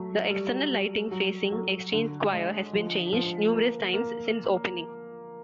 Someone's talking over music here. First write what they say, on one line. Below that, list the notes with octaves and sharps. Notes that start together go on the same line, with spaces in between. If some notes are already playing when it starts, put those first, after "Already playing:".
The external lighting facing Exchange Square has been changed numerous times since opening.
Already playing: F#3 A3
G3
G3
F#3
F#3
D3
G#3
F3
F3
A#3
A#3